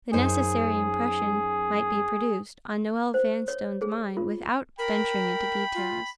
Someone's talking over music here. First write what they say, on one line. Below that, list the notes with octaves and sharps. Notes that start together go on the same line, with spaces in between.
The necessary impression might be produced on Noel Vanstone's mind without venturing into details.
F#2 D#4 G#4 C5
C5
C#5
G#4
F4
A#4 G5 B5
F4